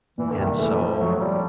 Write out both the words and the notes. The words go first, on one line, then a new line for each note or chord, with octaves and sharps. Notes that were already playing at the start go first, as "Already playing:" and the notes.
And so,
A#2 E3
D3
C2 D#3
E3 A3
F3 A3
F3 F#3
F#3
F3 G3